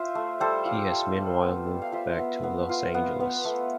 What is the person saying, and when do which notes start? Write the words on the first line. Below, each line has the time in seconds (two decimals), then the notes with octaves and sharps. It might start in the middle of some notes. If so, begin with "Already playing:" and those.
He has meanwhile moved back to Los Angeles.
Already playing: F4 C5 E5
0.15 A3
0.40 G3 A4 C5
0.66 F4
0.92 G3
1.16 F4
1.42 B3
1.67 B3
1.82 F5
1.92 F4 C5 E5
2.19 B3
2.44 B3
2.69 F4
2.94 B3
3.20 B3
3.45 A3